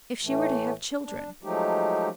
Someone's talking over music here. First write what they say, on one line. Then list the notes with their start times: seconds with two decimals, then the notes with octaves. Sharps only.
If she were to have children!
0.23 A2 E3 A3
1.02 D4
1.43 F3 F#3 G#3 A3 D#4 G4